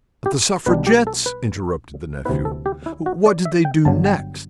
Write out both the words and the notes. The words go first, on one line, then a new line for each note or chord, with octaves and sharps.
"But the Suffragettes," interrupted the nephew; "what did they do next?"
G4
B1 B2 G3 D4 B4
G4
A4
B4
D2 C3 E3 B3 E4 B4
A4
G4
E4
F#4
D5
E5
G5
G1 G2 D3 F#3 A5
G5